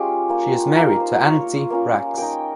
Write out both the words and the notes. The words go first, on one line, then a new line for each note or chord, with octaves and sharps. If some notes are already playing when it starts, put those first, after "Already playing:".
She is married to Antti Brax.
Already playing: G#3 C#4 F4 G4
A#3 F4
A#3 D#4 A#4
C5
A#3 F4 C#5
A#3 C#4 F4
A#3 D#4 G5